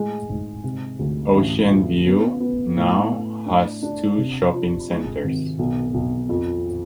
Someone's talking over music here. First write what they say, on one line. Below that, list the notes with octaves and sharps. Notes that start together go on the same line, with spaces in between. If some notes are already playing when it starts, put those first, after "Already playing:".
Ocean View now has two shopping centers.
Already playing: A2 G#3
G#2
C3
D2
A1
F3
B3
B3
A2
A2
D4
D4
C3
F3
G#3
G#1
B1
B1
F2